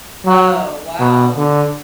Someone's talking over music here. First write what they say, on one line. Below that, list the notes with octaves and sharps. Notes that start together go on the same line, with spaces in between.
Oh, wow.
F#3
B2
D3